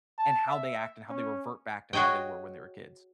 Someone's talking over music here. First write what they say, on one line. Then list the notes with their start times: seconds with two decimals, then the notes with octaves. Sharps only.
and how they act and how they revert back to how they were when they were kids.
0.18 A5
0.48 E5
1.10 C#4
1.93 F#4 G#4 C#5 D#5 G5